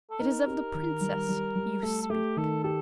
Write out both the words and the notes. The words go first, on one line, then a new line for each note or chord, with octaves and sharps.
"It is of the princess you speak."
A4
D#4 A#4
G4
D#3
G3
G3
G3
A3 A4
A4
A3 G4
D#3 A4
G4 A4